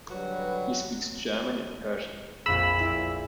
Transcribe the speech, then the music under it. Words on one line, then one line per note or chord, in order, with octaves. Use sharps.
He speaks German and Persian.
D3 F#3 G3 F#4 B4
A#1 F2 G#4 B5 E6
E4 D5